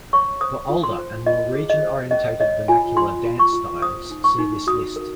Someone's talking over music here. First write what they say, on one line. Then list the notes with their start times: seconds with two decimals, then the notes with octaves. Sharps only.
For older and more region-oriented vernacular dance styles, see this list.
0.13 C#5 C#6
0.41 C5 D#6
0.69 F4
0.83 C6
0.98 C5
1.26 F4 D#5
1.55 G#4
1.69 D#5
1.83 C5
2.11 C#4 D#5
2.40 C#5 D#5
2.68 F4 G#5
2.97 F4 C6
3.25 F4
3.39 C#6
3.53 F4
3.82 C5 D#6
4.10 D#4
4.24 C#6
4.38 D#4
4.67 F#4 D#6
4.96 A#4